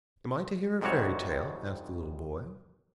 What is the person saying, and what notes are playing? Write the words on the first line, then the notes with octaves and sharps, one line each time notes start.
"Am I to hear a fairy tale?" asked the little boy.
F2 G#2 C3 G3 F#4 C#5